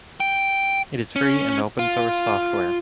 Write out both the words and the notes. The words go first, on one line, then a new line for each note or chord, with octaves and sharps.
It is free and open-source software.
G5
C#4
F4